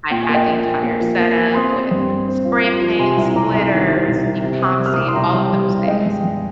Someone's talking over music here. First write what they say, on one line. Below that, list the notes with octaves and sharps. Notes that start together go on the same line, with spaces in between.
I had the entire setup with spray paints, glitters, epoxy, all of those things,
A#2 G5
G#5
A#3
D#5 G5
A#1
A#1
A#3
F3
A#3
F3
C4 C6 D#6
C4
G2
C4
C4
F4
F4
F3
C3 G#5 C6
C2
C2 A#5 D6
C2
D#3
C2
C2
C2
C3
C3
G3
F6
D#6
C2 D6
C6
C2 G5 A#5
G3
G3
C2
F5
G#3 D#5 G5
G2
G2